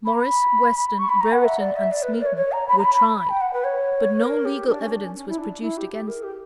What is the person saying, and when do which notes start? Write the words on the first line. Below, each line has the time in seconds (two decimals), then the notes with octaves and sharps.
Morris, Weston, Brereton, and Smeton, were tried; but no legal evidence was produced against them.
0.05 B5
0.13 A#5
0.20 B5
0.98 C#6
1.09 B5
1.20 A#5
1.32 F#5
1.44 E5
1.59 D5
1.76 E5
1.91 D5
2.02 B4
2.14 A#4
2.21 D5
2.25 C#5
2.36 C#5
2.52 A#5
2.68 B5
2.78 A#5
2.84 B5
2.95 B5
3.18 B5
3.29 G5
3.40 F#5
3.53 B4
3.64 C#5
4.23 A#4
4.45 G4
4.68 D4
4.80 C#4
4.91 D4
5.03 C#4
5.15 C#4
5.29 E4
5.38 D4
5.61 E4
5.77 G4
5.93 G4
6.08 A#4
6.23 G4